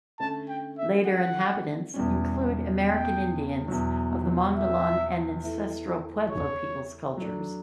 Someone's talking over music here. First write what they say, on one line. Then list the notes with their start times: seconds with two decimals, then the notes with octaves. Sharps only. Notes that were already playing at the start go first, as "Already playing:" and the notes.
Later inhabitants include American Indians of the Mogollon and Ancestral Pueblo peoples cultures.
0.19 D3 A3 C#4 A5
0.49 G5
0.78 E5
1.06 F#5
1.94 E2 B2 G3 C#4
2.81 G5
3.68 E2 B2 F#3
4.55 E5
5.43 E3 A3 E4
6.30 C#5
7.17 F#3 A3 D4